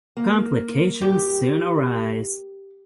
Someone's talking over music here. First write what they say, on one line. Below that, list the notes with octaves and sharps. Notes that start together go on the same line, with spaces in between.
Complications soon arise.
A#3
G4